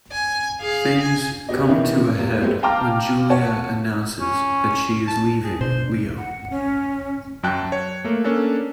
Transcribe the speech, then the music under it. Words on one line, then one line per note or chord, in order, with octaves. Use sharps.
Things come to a head when Julia announces that she is leaving Leo.
G#5
G#4 F5
G#5
B3 F#4 G4 D5 D#5
D#3 E3 B3 C#4 D4 E4
E2 G2 A#3
F#3 G#3 A3 B3 C4 G4
F5 G5 A5 A#5 D6 F6
C#5 F#5 A5
C#4
A5
G#4
B2 D4 C5
F#5
C#4
F#2 F#3 G5 A5 F#6
C#5
A3 A#3
A#3 C#4 D4 A4